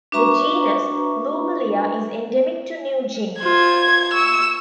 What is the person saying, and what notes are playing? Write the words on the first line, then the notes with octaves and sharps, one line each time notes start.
The genus "Lobulia" is endemic to New Guinea.
D4 F#4 B4 E5 A#5 C#6
F4 C5 G#6
C#6 E6